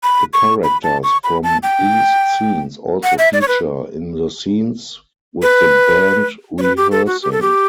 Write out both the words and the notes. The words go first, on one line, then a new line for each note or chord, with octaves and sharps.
The characters from these scenes also feature in the scenes with the band rehearsing.
B5
C#6
B5
A5
C#6
B5
A5
G5
F#5
E5
D5
C#5
B4
B4
C#5
B4
G4
A4
F#4
G4
A4
G4